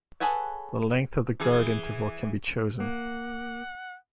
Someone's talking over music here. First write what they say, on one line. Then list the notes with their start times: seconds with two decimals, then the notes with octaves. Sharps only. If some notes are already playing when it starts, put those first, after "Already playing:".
The length of the Guard Interval can be chosen.
0.20 G#4 A4 B4 C#5 F#5
1.40 E3 G#4
2.80 A#3 F#5